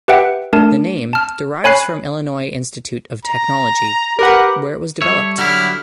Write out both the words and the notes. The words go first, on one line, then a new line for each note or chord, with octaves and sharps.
The name derives from Illinois Institute of Technology, where it was developed.
G4 B4 E5 F#5 G5
A3 D4 A#4 A5
A5 F6
C#5 G#5 B5 F#6 C7
A#5
G4 A#4 B4 F#5
G3 A4 C#5 E5
D3 F#3 G3 E4 F6